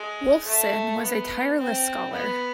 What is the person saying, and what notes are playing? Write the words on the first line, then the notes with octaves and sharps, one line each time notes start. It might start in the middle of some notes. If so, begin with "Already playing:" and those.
Wolfson was a tireless scholar.
Already playing: G#3
A3
B3
C4
B3